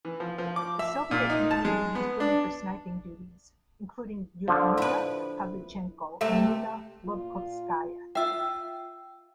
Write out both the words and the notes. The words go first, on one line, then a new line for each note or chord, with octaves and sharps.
The Soviet Union used women for sniping duties, including Lyudmila Pavlichenko and Nina Lobkovskaya.
E3
F3
F3
D6
E5
A#2
D#4
A5
G#3
B3
D4
D3 F3
E4 B4
C3 A3 E5
A#2 F4
F4 E5 G5 E6